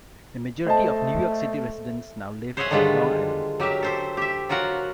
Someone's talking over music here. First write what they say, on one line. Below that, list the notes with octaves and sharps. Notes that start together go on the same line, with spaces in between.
The majority of New York City residents now live on Long Island.
A3 C5 D#5 A5
C5 C#5 D#5 E5 F#5 G#5
D3 D#3 G3 G#3 F4 B4
F#3 G4 A#4 E5
A4 C5 E5
G4 E5
F#3 F4 F#4 A#4 F#5